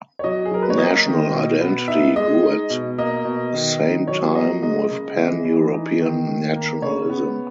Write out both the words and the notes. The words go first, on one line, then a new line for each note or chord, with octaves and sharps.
National identity grew at same time with Pan-European nationalism.
C#5
F#3 D#5
G#4
F#3 A#4
B4
C#5
A#3 D#5
D#3
B2
B3
D#4 E5
G#3 D#5
D#4
B2
A#3 D#5
B2
D#3
D#4
F#3 C#5
A#3 D#5
G#3 D#5
C#3
E3
E3
D#4
D#3
D#3
A#3
C#3 C#5
B3